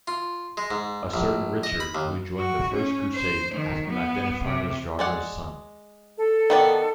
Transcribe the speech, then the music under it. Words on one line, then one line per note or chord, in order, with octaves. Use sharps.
A certain Richard, who joined the First Crusade, has been identified as Drogo's son.
F4
G#3
G#2
A#1
D#5
B5
D#2
F#4
C#4
C5
D#3
B3
C3
G#3 D5 F#5
A4
D#3 B3 D5